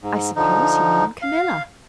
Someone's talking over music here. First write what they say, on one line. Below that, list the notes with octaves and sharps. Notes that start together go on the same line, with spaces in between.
"I suppose you mean Camilla?"
G#2
D3 F3 D#4
F5